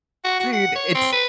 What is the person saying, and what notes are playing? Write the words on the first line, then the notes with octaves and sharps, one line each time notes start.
Dude, it's
F#4
F#4
F#5
C#5
C4
B4